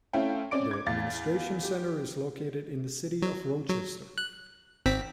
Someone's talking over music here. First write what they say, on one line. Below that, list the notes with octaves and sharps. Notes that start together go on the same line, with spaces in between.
The Administration Center is located in the city of Rochester.
A3 C4 C#4 E4 F5 G5
C4 C#4 D5 D6 D7
D6 G#6
E2 F5 A6
G4
F#3
F#3
F#6
G#1 C4 B6